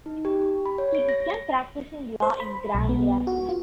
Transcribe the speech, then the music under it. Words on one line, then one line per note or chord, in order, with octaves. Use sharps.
He began practicing law in Grand Rapids.
D#4
G4
G4
B5
C#5
D7
A#6
C5
B5
B1
B3
F#4
F4